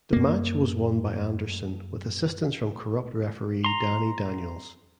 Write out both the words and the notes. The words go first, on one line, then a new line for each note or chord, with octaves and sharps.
The match was won by Anderson with assistance from corrupt referee Danny Daniels.
F#2 A#3
A#5 C6